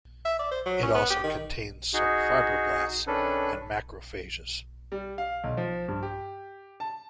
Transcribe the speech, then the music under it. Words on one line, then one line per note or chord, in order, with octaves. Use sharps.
It also contains some fibroblasts and macrophages.
E5
D5
C5
F#3
C#4
B3
G4
D#3
D#4 F#4 G#4
D#3 C#4 D4 A4 B4
G3
F5
B1
F3
G2
G4
A5